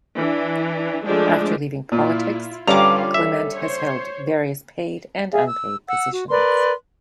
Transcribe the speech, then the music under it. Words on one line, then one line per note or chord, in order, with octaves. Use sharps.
After leaving politics, Clement has held various paid and unpaid positions.
E3 D4
F3 G#3 A3 D4
A#2 E4 F4
G2 D3 G3 C#4 F4 F5 A#5 D6
A4 E5
C5 C#5
G#4 E5 F5
E6
F#5 E6
F#4
A#4 B4 D5 C6